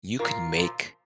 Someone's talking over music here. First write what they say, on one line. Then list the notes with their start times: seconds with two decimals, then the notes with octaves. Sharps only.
you could make
0.19 A#2 F3 F4 A#4
0.55 A#2 F3